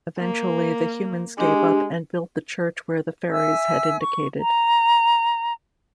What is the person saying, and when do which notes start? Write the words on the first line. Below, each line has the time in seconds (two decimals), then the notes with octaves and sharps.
Eventually the humans gave up and built the church where the fairies had indicated.
0.18 A#3
1.38 G#3 D4 G4
3.31 E5 G#5 E6
4.00 C#6
4.40 A#5